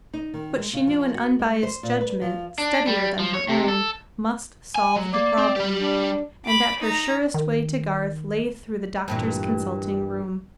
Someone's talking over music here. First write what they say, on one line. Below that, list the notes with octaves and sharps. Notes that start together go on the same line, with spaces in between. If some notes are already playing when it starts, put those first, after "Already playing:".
But she knew an unbiased judgment, steadier than her own, must solve the problem; and that her surest way to Garth lay through the doctor's consulting-room.
D#4
D#3
G#3
C#3
F3
F#4
G#3
C5
A#2
B4
F3
D4
G3
F3
C#5
C3
A4
G#5
F#3
A#3 D5
C4
G3 G4
D4
B5 D6
D#4 A#5
D#3
G2 A#2 E3